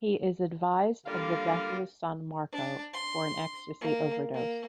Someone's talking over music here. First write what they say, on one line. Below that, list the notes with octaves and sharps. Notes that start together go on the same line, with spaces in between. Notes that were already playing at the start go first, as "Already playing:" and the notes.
He is advised of the death of his son Marco for an Ecstasy overdose.
D3 G3 A#3 F4 F5
D4
C6
A#3
A#3